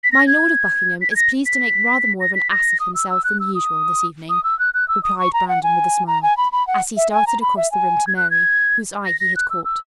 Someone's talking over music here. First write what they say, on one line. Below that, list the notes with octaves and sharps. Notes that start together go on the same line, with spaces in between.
"My Lord of Buckingham is pleased to make rather more of an ass of himself than usual this evening," replied Brandon with a smile, as he started across the room to Mary, whose eye he had caught.
B6
A#6
G#6
B6
G#6
A#6
B6
A#6
B6
A#6
D#6
E6
E6
F#6
E6
D#6
D#6
E6
F#6
F#6
E6
D#6
C#6
A#5
F#5
G#5
A#5
G#5
B5
B5
F#5
E5
G#5
A#5
B5
E5
G#5
G#6
F#6
G#6
A#6
A#6
F#6
E6
E6